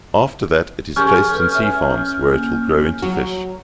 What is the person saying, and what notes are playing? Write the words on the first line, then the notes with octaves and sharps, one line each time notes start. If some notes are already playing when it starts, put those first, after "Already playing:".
After that it is placed in sea farms where it will grow into fish.
F3 C#4 G4 G#4 F6 G6
A4 B4
C#5 E5 G#5
A#3
F#3